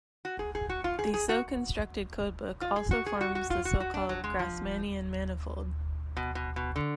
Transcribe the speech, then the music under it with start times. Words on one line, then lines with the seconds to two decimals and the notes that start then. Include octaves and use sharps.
The so-constructed codebook also forms the so-called Grassmannian manifold.
0.25 F#4
0.39 G#4
0.55 G#4
0.69 F#4
0.84 F4
0.99 G#4
1.14 G#4
1.29 F#4
2.61 F4
2.76 G#4
2.91 F#4
3.06 G#4
3.21 F#4
3.35 F#4
3.50 F4
3.65 F#4
3.80 F#4
3.94 D4
4.09 F#3
4.24 G#3
4.39 F3
6.17 B2
6.35 B2
6.56 B2
6.76 D3